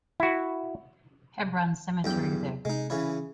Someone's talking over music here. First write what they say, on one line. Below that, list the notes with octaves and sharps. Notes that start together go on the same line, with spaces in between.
Hebron Cemetery there.
E4 F#4
E2 G2 F#3 G#4 G5
C3 G#3 D#4
C#3 E3 C#5 B5
G#4